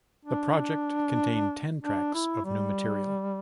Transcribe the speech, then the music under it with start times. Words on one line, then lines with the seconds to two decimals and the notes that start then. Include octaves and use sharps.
The project contained ten tracks of new material.
0.25 D4
1.82 D4
2.14 E4
2.45 G3